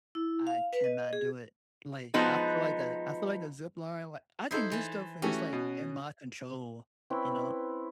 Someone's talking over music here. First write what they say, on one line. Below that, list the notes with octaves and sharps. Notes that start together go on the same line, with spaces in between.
I cannot do it, like, I feel like the I feel like the zipline, like I can do stuff when it's, like, in my control, you know?
E4
F5
B4
D#5
G#4
F3 G#3 B3 D#4 F#4
D#4 E4 A4 C5
E3 A5
E3 A3 C#4 F#4 G4
B2
C4 C#4 E4 B4